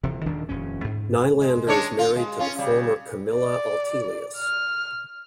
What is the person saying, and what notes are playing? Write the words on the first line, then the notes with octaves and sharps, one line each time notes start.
Nylander is married to the former Camilla Altelius.
D#1 C3 E3
D#1 D#3 D4
D#1 F2 C#4
G#2
G#3
G#3 D4 C#5
F4
G#3
C#4 F4
C#3 G3
D5
F6